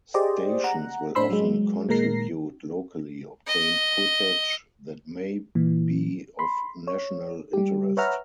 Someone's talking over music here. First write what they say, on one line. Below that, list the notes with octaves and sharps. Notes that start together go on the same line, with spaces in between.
Stations will often contribute locally obtained footage that may be of national interest.
G4 G#4 C5 D5 D#5
F#5 A#5 F#6
A2 D4 C5 B5 C6 E6
F#3 G#3
A#2 D#3 G#3 A#4 A#6 C7
D#5
A#2 E3
B5 C6
C#5
G3 G4
B4 C#5 E5 F#5 A#5 F6